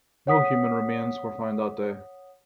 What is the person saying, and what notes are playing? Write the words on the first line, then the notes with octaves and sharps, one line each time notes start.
No human remains were found that day.
C#5 F#5 D#6 B6